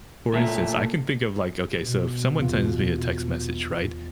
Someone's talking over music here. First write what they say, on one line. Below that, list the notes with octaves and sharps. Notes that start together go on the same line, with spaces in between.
for instance, I can think of, like Okay, so if someone sends me a text message, right,
A#2 A3
B2
E2 F4